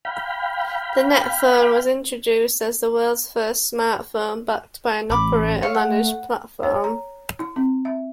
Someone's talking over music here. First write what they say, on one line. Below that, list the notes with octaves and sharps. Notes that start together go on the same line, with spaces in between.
The Netphone was introduced as the world's first smartphone backed by an operator-managed platform.
F5 G5 B5
A1 B5 D6
C#5 F5
A3 F#5
C#5
A#5
E4
C4
E5